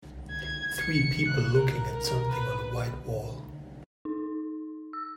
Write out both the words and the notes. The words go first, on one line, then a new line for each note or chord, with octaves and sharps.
Three people looking at something on a white wall.
G#6
C#7
F#6
A#4
A#4
B4
D#4
E6